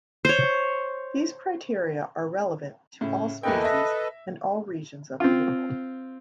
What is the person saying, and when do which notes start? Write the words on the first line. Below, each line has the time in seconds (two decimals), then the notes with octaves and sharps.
These criteria are relevant to all species and all regions of the world.
0.25 C5 C#5
3.01 A2 C#3
3.43 E2 A#3 A4 B4 D#5 G5
3.64 E5 A#6
5.20 C4 F4